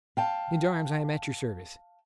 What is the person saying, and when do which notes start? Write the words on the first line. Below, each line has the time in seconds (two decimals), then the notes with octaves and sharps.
Gendarmes, I am at your service.
0.17 F5 G5 A5